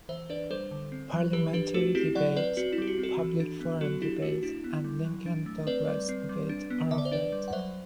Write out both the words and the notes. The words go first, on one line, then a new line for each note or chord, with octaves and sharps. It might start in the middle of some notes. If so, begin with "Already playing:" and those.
Parliamentary Debate, Public Forum Debate and Lincoln Douglas Debate are offered.
E3 C5 E5
D4 B4 D5
G3 A4 C5
D3
C4
F#3
E3 G4 B4
D4 G4 B4
A3 F#4 A4
C4 E4 G4
F#3 D5 F#5
C4 B4 D5
C4 F#4
E4
G3 G4
F#4
C4
F#4 A4
E3
D4
B3
F#3 F#4 A4
D4 E4 G4
A3 F#4
D4 E4
B3
G3
F#3
D4
A3
C4 B4 D5
G3
C4
G3
D4
B3
D3 E5
D5
C5
D4 B4 D5
G3
F#5
F#3 C5 E5